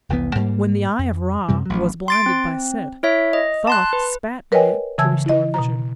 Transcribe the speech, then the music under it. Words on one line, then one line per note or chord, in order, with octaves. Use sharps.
When the Eye of Ra was blinded by Set, Thoth spat in it to restore vision.
F1 C2 E3 B3
G#2 G3 A3 A#3
F2
F#2 C3 G3
A1 F#3
C6 A6 D7
C4
E4 C#5 E5
D#5
A5 C6 F#6
B4
A#4 B4 C#5 D#5 G5 G#5
C#3 E3 G#5 A5 E6 G#6
E4 D#5
B2 A#5